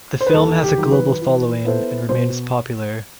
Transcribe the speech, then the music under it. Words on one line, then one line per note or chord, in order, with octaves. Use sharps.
The film has a global following and remains popular.
C5
B4
D#2 A4
G4
D#3 F#3
B4
E3
B3 E4 A4 C5
B2 C5